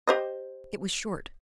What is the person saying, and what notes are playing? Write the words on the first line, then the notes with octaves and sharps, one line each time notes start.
It was short.
G4 C5 D#5